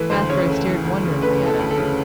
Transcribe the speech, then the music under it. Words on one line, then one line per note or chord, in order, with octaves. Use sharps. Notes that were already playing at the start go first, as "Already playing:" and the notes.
Rathbury stared wonderingly at him.
Already playing: E3 A3 B4
D2 C5
C#3 C#5
A3
E3
D2
C#3
A3 B4
E3
A4
D2
A4
C#3